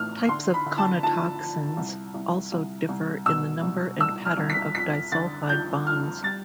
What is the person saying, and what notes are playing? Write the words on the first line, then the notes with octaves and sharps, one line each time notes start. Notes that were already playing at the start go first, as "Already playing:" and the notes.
Types of conotoxins also differ in the number and pattern of disulfide bonds.
Already playing: A2 E3 F6
D3 C6
B5
D3
A5
F3 A5
F3
C2
C2
C2
C2
B2 E6
C2
C2 E6
F6
C2
B6
F2 B6
D3 A6
F3 G6
F3 F6
G3 A6